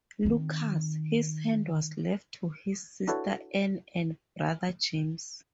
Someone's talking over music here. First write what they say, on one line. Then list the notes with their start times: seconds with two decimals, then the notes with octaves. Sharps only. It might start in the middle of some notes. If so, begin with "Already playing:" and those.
Lucas, his land was left to his sister Anne and brother James.
0.25 D#3 C4
3.07 D4 E4 F#4 A4 B4 C#5